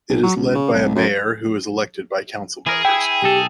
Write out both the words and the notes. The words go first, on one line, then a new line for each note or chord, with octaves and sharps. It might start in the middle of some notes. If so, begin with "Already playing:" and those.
It is led by a mayor, who is elected by council members.
B1
F#3
C#2
C#3
C2
F#2
E3 G#4 A#4
E4 G5
B1 D#4 G4 A4